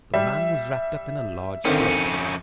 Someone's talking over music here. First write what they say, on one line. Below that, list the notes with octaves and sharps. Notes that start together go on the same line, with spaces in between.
The man was wrapped up in a large cloak.
G3 E5
F2 D3 D#3 C4 C#4